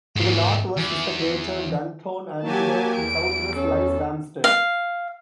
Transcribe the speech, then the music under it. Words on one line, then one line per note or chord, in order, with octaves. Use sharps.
To the northwest is the crater Dunthorne, and to the southwest lies Ramsden.
G#2 A#3
E2
F#3 A#3 G4 G#5 A5
E2 D7
C#4 A4
F5